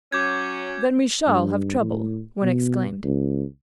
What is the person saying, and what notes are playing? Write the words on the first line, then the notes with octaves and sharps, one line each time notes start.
"Then we shall have trouble," one exclaimed.
F#3 C#4 D6 G6 G#6
G2
A2
B2
C#2